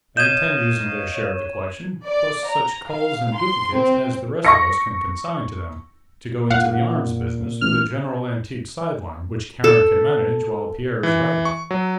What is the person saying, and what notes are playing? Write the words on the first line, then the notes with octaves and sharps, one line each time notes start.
They intend using their share of the collection, plus such culls and duplicates as the rest of us can consign to them, to go into the arms business, with a general-antique sideline, which Karen can manage while Pierre's writing....
C#5 D#5 F5 G6 G#6 D#7 E7
D5
A#5
F5
C6
C4
C#6 A#6 C#7
A#2 F5 F#5
A1 F6
A4
E3
C#6
F#3